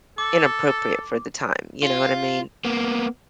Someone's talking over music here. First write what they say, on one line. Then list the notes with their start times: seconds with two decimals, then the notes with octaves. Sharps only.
inappropriate for the time. You know what I mean?
0.18 A4 D6
1.83 F4
2.65 A#3 B3